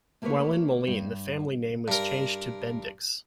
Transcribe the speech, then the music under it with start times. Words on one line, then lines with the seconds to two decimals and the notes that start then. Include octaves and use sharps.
While in Moline the family name was changed to "Bendix".
0.22 A3 A#3 G4 A4 B4 C#5
0.87 G2
1.88 G2 A#4